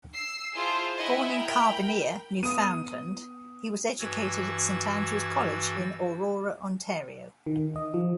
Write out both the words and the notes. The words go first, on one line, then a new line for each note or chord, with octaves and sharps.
Born in Carbonear, Newfoundland, he was educated at Saint Andrew's College in Aurora, Ontario.
E6 C7
E4 F4 G#4 C5 A5
E4 D#5 E5 F#5 G#5
A#4 G5 B5
B3 D#6 D#7
G2 E3 F#4 E6 G#6 A6
D#3
D#5
F3